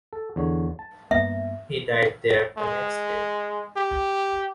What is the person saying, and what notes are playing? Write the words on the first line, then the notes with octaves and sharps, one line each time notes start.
He died there the next day.
A4
E2 D3 C#5
A5
G2 A#3 B3 E5
G#3
G4